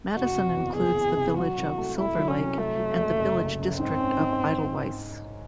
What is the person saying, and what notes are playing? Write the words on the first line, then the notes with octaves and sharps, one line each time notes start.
Madison includes the village of Silver Lake and the village district of Eidelweiss.
F#1 F#4
C3
E2
F#1 G#4
E2
C3
F#3 F#4
C2
A3
A3 E4
F#3
C#4
C2
F#3 A3
F#3
F#1
F#1
F#1
F#2
G#2 C4
C#4
G#2